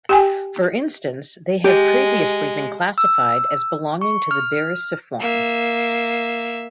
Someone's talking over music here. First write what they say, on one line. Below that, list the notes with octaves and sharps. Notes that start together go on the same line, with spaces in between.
For instance, they have previously been classified as belonging to the Beryciformes.
G4 G5 G#5
G#3 G4
E6
C#6
F6
A#3 E5